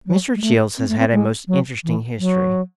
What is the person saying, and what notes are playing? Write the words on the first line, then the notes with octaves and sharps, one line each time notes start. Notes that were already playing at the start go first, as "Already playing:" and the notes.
Mr. Childs has had a most interesting history.
F#3
G#3
A3
C4
A3
C4
G#3
F#3
E3
F#3